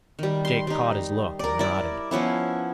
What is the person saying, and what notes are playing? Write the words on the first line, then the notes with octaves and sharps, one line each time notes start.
Jake caught his look and nodded.
D#3 G3
C6
G3 D#4
A#4 D5
E4 D5
F3 B3 C#4 E4